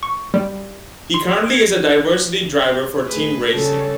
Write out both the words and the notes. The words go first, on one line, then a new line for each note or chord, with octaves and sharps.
He currently is a diversity driver for Team Racing.
C#6
G3
C6
G#6
A2 G#4 B4
C#3 G3 A4 C#5 A5